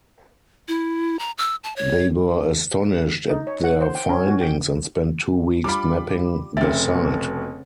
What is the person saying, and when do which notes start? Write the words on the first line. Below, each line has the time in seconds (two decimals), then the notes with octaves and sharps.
They were astonished at their findings and spent two weeks mapping the site.
0.68 E4
1.19 A#5
1.38 E6
1.64 A5
1.76 C#5
3.30 D#4
3.47 C#5
3.64 F#5
3.81 C5
3.95 G5
4.09 C#4
4.27 F#4
4.41 G5
5.64 G3 D4 F4 B5 D6
6.57 F1 C#3 C4 E5 A6
6.93 B2